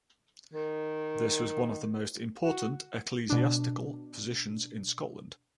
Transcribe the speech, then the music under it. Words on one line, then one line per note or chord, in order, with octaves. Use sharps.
This was one of the most important ecclesiastical positions in Scotland.
D#3
F#4
B2 D4